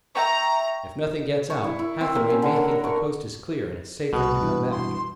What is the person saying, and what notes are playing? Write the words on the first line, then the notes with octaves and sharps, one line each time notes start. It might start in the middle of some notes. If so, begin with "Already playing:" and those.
If nothing gets out, Hathaway may think the coast is clear and it's safe for him to come back.
E5 G5 A#5 C#6
C#6
E4
E4
C4
A#3
C#4
D3
F#4
A#4
C#6
C2 B2 B4
G2 E3
C6